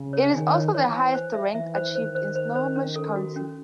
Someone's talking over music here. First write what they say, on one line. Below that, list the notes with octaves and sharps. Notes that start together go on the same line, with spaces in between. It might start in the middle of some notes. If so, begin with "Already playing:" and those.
It is also the highest rank achieved in Snohomish County.
Already playing: C#3
C#5
D#3 G#5
C#5
E3 C#5
G#5
C5
E5
E3 E5
C5
D#3 C5
C5
C5
C5
C#4
A4
F#4
C#4